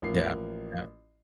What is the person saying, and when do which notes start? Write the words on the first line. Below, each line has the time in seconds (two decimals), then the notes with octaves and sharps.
Yeah, yeah.
0.02 A1 F3 A#3 C7